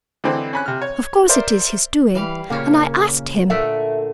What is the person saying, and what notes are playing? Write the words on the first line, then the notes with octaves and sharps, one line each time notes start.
"Of course it is his doing--and I asked him!"
D3 E3 G#3 C4
C#4 B5 F#6
C3 F6
C#5
A#4 C5 D5 E5
E3 G3 F5
A#2 C#3 A#3 C#4
A#2 D3 A3 E5